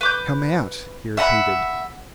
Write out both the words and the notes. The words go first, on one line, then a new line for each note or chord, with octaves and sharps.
"Come--out," he repeated.
B4 D6 G6
E5 F#5 A#5 B5